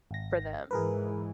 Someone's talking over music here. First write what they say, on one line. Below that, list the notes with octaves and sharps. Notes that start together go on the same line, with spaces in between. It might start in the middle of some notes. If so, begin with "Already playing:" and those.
for them.
G#1 A#6
G#2 E3 G#4 A#4 B4